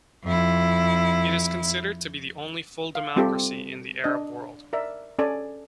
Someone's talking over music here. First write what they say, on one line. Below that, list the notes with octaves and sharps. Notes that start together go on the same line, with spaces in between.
It is considered to be the only full democracy in the Arab World.
F2 E4
F5
G3 C4 F4 G4 A4
D4 D#5
A#4 D5 E5
C#4 A4 D5 G#5